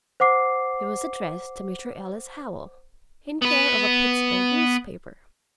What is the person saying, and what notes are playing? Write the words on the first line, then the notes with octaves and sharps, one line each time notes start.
It was addressed to Mr. Ellis Howell, in care of a Pittsburgh newspaper!
C5 F#5 D6 C7
B3 B4